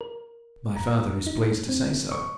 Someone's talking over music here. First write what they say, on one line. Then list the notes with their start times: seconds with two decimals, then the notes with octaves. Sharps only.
'My father is pleased to say so.'
0.01 A#4
0.76 A#5
1.27 D#4
1.69 C4
2.11 C#6